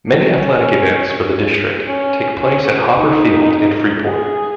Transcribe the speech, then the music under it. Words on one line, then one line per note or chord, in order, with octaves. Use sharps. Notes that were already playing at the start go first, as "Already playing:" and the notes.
Many athletics events for the district take place at Hopper Field in Freeport.
C#4
C#4
C#4
D#4
G#4